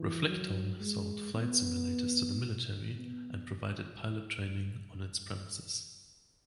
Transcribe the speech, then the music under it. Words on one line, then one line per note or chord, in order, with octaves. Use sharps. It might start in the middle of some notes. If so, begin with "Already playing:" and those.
Reflectone sold flight simulators to the military and provided pilot training on its premises.
Already playing: E3
F#3
G#3
B3
B3